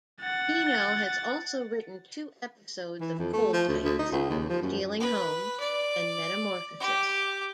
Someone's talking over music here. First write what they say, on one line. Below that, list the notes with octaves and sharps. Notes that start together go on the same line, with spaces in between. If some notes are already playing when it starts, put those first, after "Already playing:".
Pino has also written two episodes of "Cold Case": "Stealing Home" and "Metamorphosis".
F#5 A6
E3
F2
A3
F3
D2
D2
D#4
C#2
D#2
F3
F#2
B4
D5
G4